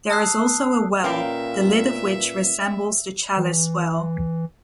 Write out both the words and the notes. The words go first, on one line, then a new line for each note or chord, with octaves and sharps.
There is also a well, the lid of which resembles the Chalice Well.
A5 D#6 E6 F#6 C7
A#2 C#4 A#4 B4 E5 F5 G5
E3